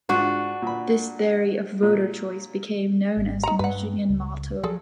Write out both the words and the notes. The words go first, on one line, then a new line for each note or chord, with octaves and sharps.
This theory of voter choice became known as the Michigan Model.
G#2 D4 F4 F#4
A#2 B5
A#2
G#1
D#4 A#5
G2 B4 F#5
C#2
F3 F#3 G#4 A4